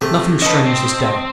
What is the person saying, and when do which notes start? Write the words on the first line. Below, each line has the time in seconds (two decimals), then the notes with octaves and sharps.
Nothing Strange this day.
0.01 C3 A3
0.42 C#4 B4 D#5 A5
0.65 C4